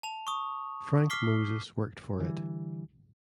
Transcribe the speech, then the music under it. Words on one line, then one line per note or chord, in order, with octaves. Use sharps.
Frank Moses worked for it.
A5 F7
C#6 D#6
D6 F6 B6 C7 G7
D3 E3 G3